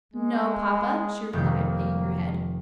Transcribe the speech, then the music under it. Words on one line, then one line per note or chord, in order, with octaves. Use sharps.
"No, papa," she replied, hanging her head.
G#3
F1 D#3 A#3 G6